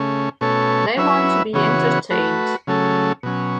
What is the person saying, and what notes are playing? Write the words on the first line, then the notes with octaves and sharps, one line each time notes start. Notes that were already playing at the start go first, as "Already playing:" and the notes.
They want to be entertained.
Already playing: C#3 A3 C#4
B2 A3 C#4 A4 C#5
F#3 C#4 E4 B4 E5
C#3 E3 B3 F#4 C#5
A3 F#4 B4
C#3 F#3 A3 C#4 A4
B2 F#3 C#4